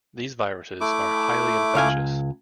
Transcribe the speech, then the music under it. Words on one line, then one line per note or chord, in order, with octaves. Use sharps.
These viruses are highly infectious.
A3 E4 D6
C#2 F5 G#5